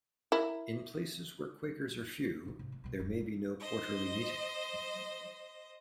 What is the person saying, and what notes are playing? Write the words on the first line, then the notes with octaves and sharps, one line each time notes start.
In places where Quakers are few, there may be no Quarterly meeting.
E4 A#4
C#3 C#4
G#2 C3
A3
B2 G3
D1 F#2
D#3
C5 D#5